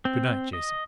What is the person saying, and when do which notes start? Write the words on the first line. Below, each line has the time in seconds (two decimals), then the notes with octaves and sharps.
"Good-night, Jason."
0.05 C4
0.53 D#5